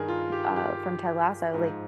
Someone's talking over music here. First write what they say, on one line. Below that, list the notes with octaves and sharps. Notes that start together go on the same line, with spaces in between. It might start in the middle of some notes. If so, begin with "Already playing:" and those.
uh, from Ted Lasso, like,
Already playing: G2 D#3 G#4 A#4
F4
G4
G4
G#2 F3